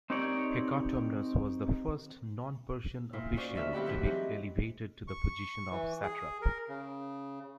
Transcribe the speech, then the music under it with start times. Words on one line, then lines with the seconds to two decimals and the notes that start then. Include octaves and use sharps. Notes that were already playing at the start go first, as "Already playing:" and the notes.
Hecatomnus was the first non-Persian official to be elevated to the position of satrap.
0.10 C4 D#4 G4 A#4 C#5 D5
3.13 A#2 E4 F4
3.37 C#4 F#4 C5 D5
3.55 D2 C#4 E5 F6
3.73 G2 C4 E4 G4 F#5 B5
3.86 E3 F#3 B4
4.04 C4 D#4 G4 G#4 B4
5.08 C#6
5.71 E3
6.03 G#4
6.42 A#4
6.68 C#3